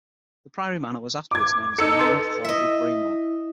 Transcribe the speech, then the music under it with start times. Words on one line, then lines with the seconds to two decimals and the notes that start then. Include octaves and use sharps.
The priory manor was afterwards known as the manor of Hordle Breamore.
1.31 D6 G#6
1.78 D#4 A4 E6 C#7
1.99 B4 C6
2.44 E4 D#5 E5